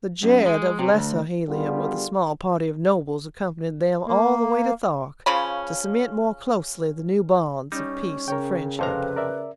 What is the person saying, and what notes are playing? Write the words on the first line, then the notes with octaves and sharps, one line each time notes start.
The jed of lesser Helium with a small party of nobles accompanied them all the way to Thark to cement more closely the new bonds of peace and friendship.
F#2
G#3
C3
D2
D3 G3 B3 F4 G4 G#4
A#3
C#3 F3 C#4 B5
G3 C#4 D#4
C#3 A#4 C#5 G5
F2 C3 A4 B4 C5 F5 A#5
A#4 D5 E5